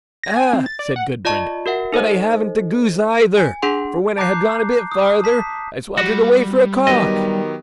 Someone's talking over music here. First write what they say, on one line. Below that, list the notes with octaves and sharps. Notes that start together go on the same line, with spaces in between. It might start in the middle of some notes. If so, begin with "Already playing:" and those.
'Ah!' said Gudbrand, 'but I haven't the goose either; for when I had gone a bit farther I swopped it away for a cock.'
A#6
G#5
C4
A6
D5
F#5
F4 D5 D#5 A5 C#6
F#4 A#4 E5 F#5
D#4 A4 C5 D#5
G#5
D4 G#4 F#5 C6
A5 A#5 D6 F#6 G6 C7
D#6
A5 B6
G3 F#4
D#3 F#3 B3 G4 D#5